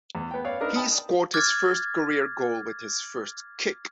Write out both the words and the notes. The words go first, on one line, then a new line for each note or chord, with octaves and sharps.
He scored his first career goal with his first kick.
E2
B3 G5
B4 C#5 D5 F5
B3 D4 D#4 A#4 B4
D5 G5 A5 B5 D#6
D6 F6 F#6 G#6 A6